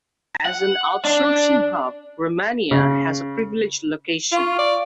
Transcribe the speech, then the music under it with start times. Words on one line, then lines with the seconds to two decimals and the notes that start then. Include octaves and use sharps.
As an outsourcing hub Romania has a privileged location.
0.45 F#5
1.05 D4
2.71 C#3
4.32 F4 F5 C#6
4.58 D5